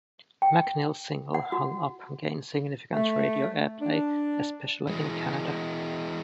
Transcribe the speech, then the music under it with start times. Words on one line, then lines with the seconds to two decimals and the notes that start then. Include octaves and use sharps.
McNeil's single "Hung Up" gained significant radio airplay, especially in Canada.
0.42 G5
1.34 F#5
1.52 F#4
2.93 A3
3.81 D4
4.87 E3 G#3